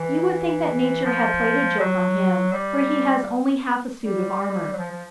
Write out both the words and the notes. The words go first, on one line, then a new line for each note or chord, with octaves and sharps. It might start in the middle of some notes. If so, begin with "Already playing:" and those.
You would think that Nature had played a joke on him, for he has only half a suit of armour.
Already playing: E3
F3
F#3
G3
G3
F#3
F3
F3